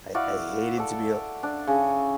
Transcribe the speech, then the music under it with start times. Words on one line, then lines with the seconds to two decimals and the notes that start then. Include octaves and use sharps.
I I hated to be a
0.14 E4 F#4 D5 F5
0.77 A4 D5
1.43 D4
1.67 C#3